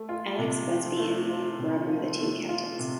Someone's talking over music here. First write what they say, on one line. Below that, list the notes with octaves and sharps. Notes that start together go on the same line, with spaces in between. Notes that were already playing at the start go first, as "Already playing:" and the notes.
Alex Buzbee and Liam Grubb were the team captains.
Already playing: A3
F4
C3
F3
A3
F4
C3
F3
A3
F4
C3